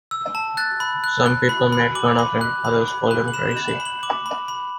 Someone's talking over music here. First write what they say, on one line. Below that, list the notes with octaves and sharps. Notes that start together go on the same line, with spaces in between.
Some people made fun of him, others called him crazy.
E6
A5
F#6 A6
B5
F#6
F#6
B5
B5
D6 F#7
B5
F#6
B5
B5
F#6
F#7
B5 E7
E7
B5
F#7
B5
F#7
D6 F#7
B5
B5